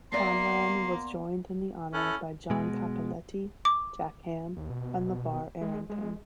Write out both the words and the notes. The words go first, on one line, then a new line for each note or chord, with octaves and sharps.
Conlan was joined in the honor by John Cappelletti, Jack Ham and LaVar Arrington.
A#3 B3 D5 E5 C6 C7
C#4 E4 A4 F#6
B2 G#3
D6
D#2
B2
G#3
G#3